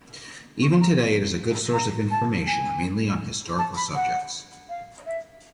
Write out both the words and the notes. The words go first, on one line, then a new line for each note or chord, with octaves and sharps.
Even today, it is a good source of information, mainly on historical subjects.
C#6
C6
A#5
A#5
A5
G#5
A5
B5
F#5
F5
E5